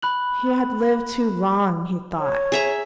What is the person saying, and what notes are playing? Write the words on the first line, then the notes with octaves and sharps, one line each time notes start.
He had lived too long, he thought.
B5 F#6 F#7
C#5
G#4 E5 A#5